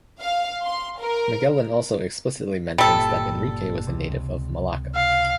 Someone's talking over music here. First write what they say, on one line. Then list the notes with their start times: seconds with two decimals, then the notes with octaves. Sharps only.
Magellan also explicitly mentions that Enrique was a native of Malacca.
0.20 F5
0.63 C6
0.98 A#4
2.78 G1 A#2 G3 A4
3.87 C#2 C3
4.95 F5